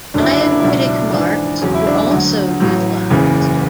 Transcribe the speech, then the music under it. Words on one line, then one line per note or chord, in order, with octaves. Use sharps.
Diacritic marks were also utilized.
F#1 F#2 D3 F#3 D4
E4
D4
E4
D4
C#2 B2 F#3 E4
D4
E4
D4
G#1 G#2 E3 D4
E1 E2 C#3 F#3 C#4
E4
D4
D2 D3 F#3
A1 A2 F#3
F#1 E2 C#3 E3